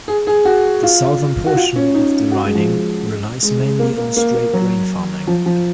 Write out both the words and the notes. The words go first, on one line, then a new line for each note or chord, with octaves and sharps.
The southern portion of the riding relies mainly on straight grain farming.
G#4
G#4
F#4
F4
F#4
F4
C#4
D#4
F#4
G#3
F3
G#3
G#3
A#3
A#3
A#3
A#3
F#3
F3
F3